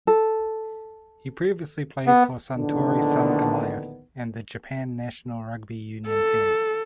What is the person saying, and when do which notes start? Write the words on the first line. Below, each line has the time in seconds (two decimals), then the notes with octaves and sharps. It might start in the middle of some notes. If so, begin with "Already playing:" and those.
He previously played for Suntory Sungoliath and the Japan national rugby union team.
0.07 A4
2.07 B3
2.57 A#1 A2 D3 D#3 B3 D4
6.07 A4